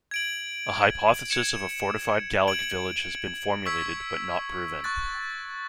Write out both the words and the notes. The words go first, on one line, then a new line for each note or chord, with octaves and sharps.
A hypothesis of a fortified Gallic village has been formulated, but not proven.
G#6 D7 F#7
G#6 C#7 E7
G#6 D7 F#7
C#6 E6 G#6 B6
C#6 F#6 A6